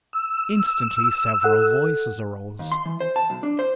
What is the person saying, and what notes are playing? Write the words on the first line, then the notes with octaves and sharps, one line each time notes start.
Instantly, several voices arose.
E6
A4 F#5 F#6
D#2
C6
E3
C5
A5
B1
D4
C5